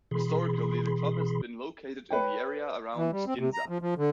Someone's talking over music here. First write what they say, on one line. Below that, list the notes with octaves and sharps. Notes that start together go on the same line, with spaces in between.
Historically, the club has been located in the area around Ginza.
B2 E3 G#4 B5 C6
B4 C#5 G5
E3
G3
C4
C3
A#5
F3
F3
D3